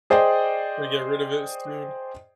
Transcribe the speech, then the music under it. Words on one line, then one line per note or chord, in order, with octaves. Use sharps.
Gonna get rid of it soon.
G#4 C5 D5 D#5 G5